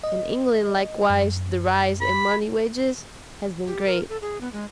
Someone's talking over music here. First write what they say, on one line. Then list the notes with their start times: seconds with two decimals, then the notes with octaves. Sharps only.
In England likewise the rise in money wages has been great.
0.04 D#5
1.10 F#2
2.01 B5
3.67 G4
3.86 A#4
4.09 A4
4.22 G#4
4.41 B3
4.53 G#3